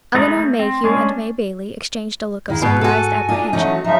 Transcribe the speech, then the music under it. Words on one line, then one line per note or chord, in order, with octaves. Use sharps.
Elinor Mayhew and May Bailey exchanged a look of surprised apprehension.
G#3 A3 B3 D#4 E4 G#4
A3
C4
G#3 C#4 D4
E2 D#3 E4 F5
G#2 B2 B3 B4
F#4 A4 G#5
D4 D#4 F4
E3 F#3 A3 C#4 D#4
C#3 F3 F#3 D#4 E5